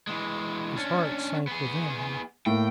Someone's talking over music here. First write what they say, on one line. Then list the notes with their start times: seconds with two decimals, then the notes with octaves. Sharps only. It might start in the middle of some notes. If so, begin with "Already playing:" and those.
His heart sank within him.
0.07 E3 G#3
0.77 C#4 D4
1.47 B3 G#4
2.46 A2 A#3 G5